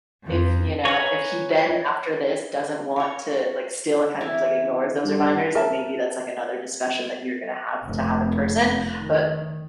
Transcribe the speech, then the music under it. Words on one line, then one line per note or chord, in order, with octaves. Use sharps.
if, you know, if he then, after this, doesn't want to like, still, kind of, just, like, ignores those reminders, then maybe that's another discussion that you're gonna have to have in person. But,
F2
B4 C#5 G#5 A#5 C#6
A#4 C#5
E3 E4 A#4
G2
A#4 E5 A5
F1
D#3